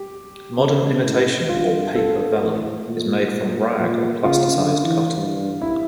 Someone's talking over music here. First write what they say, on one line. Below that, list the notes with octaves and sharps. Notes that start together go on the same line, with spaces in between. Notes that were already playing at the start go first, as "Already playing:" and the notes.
Modern imitation or "paper vellum" is made from rag or plasticized cotton.
Already playing: G4
C#3
A2
G2 F4
A4
A2
A#2
A#2
A#2
C#3 F4
D3
E3
G2
E4